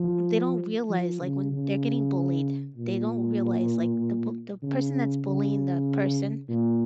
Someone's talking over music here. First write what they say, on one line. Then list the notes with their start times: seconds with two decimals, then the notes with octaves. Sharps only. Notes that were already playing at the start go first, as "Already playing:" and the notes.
They don't realize, like, when they're getting bullied, they don't realize, like, the bu the person that's bullying the person
Already playing: F3
0.90 F3
1.21 C#3
1.51 C#3
2.76 A#2
4.62 C#3
5.25 C#3
6.49 A#2